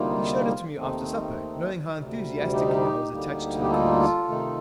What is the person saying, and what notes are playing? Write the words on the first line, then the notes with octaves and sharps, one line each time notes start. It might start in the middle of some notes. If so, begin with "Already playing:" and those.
He showed it to me after supper, knowing how enthusiastically I was attached to the Cause.
Already playing: D2 C3 G3 A#3 D#4 F4
D#2 D#3 A3 C4 D#4
D2 C3 G3
D#4 G4
D2 D3 G3 A#3 D#4
G4
F4 A4
C3 D#3 A3 D#4